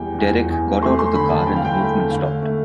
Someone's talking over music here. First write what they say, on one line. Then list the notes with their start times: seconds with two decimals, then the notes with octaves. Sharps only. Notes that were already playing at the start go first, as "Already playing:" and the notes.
Derek got out of the car and the movement stopped.
Already playing: E2 G3 G5
0.18 E2
0.50 E2
0.82 A3 C6
0.99 C6
1.14 D3 B5
1.30 A5
1.46 D3 G5
1.56 F5
1.65 G5
1.79 A3
2.10 D3 F5
2.42 A3